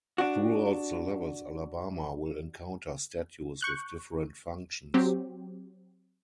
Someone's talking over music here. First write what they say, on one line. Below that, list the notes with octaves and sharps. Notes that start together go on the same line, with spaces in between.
Throughout the levels Alabama will encounter statues with different functions.
D4 F#4
C#6 F#6 G6
F#3 C4 G4